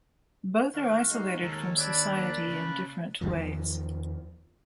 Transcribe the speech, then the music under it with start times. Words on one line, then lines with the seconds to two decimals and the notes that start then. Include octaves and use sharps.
Both are isolated from society in different ways.
0.74 D#3 F#4 F5
1.10 G#3 D#4
1.42 D#2 A4 A#4 C#5
1.78 D4 B4 A5 B5 E6 G#6 D7
2.15 A#3 D5
2.48 C#3
3.21 E2 D#3 F3